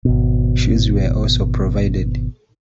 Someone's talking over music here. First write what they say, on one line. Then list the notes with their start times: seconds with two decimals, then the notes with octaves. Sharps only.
Shoes were also provided.
0.05 G#1 B2